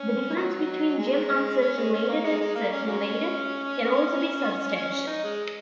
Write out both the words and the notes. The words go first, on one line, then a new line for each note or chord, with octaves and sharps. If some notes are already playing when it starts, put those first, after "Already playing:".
The difference between Gem Uncirculated and Uncirculated can also be substantial.
Already playing: C#4
D#3 F#3
G#3
C#4
G#3
C#4
A#3
G#3
G#3
A#3
C#4
F#3 A#3 C#4
C#4
C#4
D#4
G#3